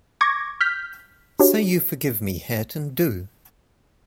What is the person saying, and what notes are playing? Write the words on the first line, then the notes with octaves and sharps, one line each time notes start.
Say you forgive me, Hareton, do.
C#6 D6 G#6 A#6
F6 G6 B6
D4 F#4 G4 C#5